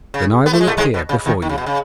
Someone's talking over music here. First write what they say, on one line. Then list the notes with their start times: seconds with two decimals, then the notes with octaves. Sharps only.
Then I will appear before you.'
0.14 C#3
0.46 B3
0.53 A3
0.61 G#3
0.67 A2 A3
0.77 G#2 G#3
0.94 B2
1.09 C#3
1.26 D#2 D#3
1.42 D#3
1.49 C#3
1.58 B2
1.66 C#3